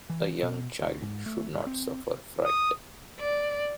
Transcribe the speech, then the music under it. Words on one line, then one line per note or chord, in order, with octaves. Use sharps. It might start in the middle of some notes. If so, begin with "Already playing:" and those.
A young child should not suffer fright.
E3
B2
D2
G#2
A3
G2
C4
D#6
D5